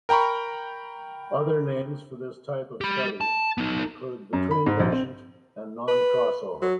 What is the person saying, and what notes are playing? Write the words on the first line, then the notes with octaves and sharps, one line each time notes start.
Other names for this type of study include "between patient" and "non-crossover".
A#4 G5 A#5 B5 C#6
G4 B5
A5
B3 D#4
F#2
B5
G#2
A#1
C4
B4
F#3